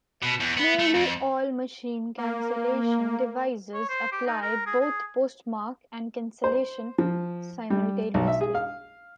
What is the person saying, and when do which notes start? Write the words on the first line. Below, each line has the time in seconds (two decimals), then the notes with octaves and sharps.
Nearly all machine-cancellation devices apply both postmark and cancellation simultaneously.
0.23 B2
0.40 E2
0.57 B3
0.79 A3
0.95 F2
2.17 A#3
3.74 C#5
3.89 C5
4.12 G4
4.27 D#4
4.42 A#4
4.66 G#4
4.81 G#4
6.44 C5
6.98 F3
7.70 G3
8.14 B1
8.28 E5
8.41 G#4
8.54 F5